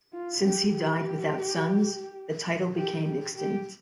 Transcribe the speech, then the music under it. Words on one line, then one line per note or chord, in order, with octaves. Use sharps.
Since he died without sons, the title became extinct.
F4
G4
G4
G4
G4
G4